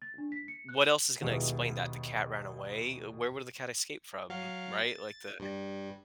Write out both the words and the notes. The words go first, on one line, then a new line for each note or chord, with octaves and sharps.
wh what else is gonna explain that? The cat ran away? Where would the cat escape from? M Right? Like, the
A6
D4
B6
C#7
F#6
D#2 B2 G#3 E4 B4
F#3 F5
A6
G2 G3